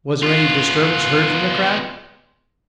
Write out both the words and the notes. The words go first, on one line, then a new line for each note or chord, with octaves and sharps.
"Was there any disturbance heard from the crack?"
B3 F4